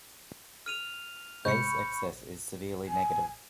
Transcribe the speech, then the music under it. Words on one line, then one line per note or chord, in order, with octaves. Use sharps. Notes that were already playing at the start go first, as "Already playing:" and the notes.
Base excess is severely negative.
F6 D#7 F7
G#2 C3 G#3 B5 C#6 G6 C#7
G#5